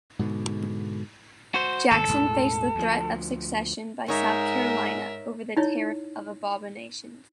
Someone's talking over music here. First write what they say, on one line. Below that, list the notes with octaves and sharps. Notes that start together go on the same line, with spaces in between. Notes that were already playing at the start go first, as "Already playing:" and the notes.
Jackson faced the threat of secession by South Carolina over the Tariff of Abominations.
G#2 B2 D3
F#4 C5
G#1 C3 A4
E1 A2 G#3
D2 F3
G#2 D#4 A#4 C#5 E5
D#4 E4 C#5